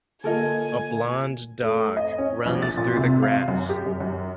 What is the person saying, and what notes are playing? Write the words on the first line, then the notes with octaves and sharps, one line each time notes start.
A blond dog runs through the grass.
D3 A#3 F4 A4 A#4 D#5 G#5
A3
D#5
C#4
A#1
A6
A#2
C3
F5
F#2
G4
F#2
F#2